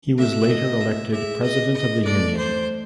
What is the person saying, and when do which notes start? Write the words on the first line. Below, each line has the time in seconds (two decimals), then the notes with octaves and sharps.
He was later elected president of the Union.
0.18 A3 A4 E5
0.50 D#5
0.81 E5
1.12 G#4 E5
1.43 D#5
1.74 D#5
2.05 A3 A4 D5
2.37 C5